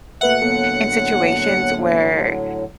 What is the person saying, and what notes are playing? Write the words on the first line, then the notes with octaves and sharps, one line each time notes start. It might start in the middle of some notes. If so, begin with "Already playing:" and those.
in situations where
B2 A3 A#3 B4 E5 F#5
A2 D3 F#3 A#3 B3 A4